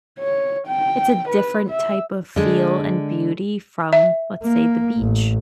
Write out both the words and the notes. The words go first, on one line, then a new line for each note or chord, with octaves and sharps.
it's a different type of feel and beauty from, let's say, the beach.
C#5
G5
B4
E5
D3 G#3
E5
A#3
A1